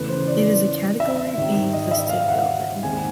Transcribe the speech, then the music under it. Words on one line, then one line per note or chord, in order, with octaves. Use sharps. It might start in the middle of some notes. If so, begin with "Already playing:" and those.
It is a category B listed building.
Already playing: E2 C#3 E3 A3 B4
C5
D5
E5
G#2 D#3 G3 C4
D#5
E5
F5
F#5
D#2 D#3 G#3 C4 G#5